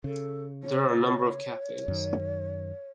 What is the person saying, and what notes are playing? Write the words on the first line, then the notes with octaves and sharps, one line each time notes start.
There are a number of cafes.
C#3 A4
C#5
C#5
F#2 D#3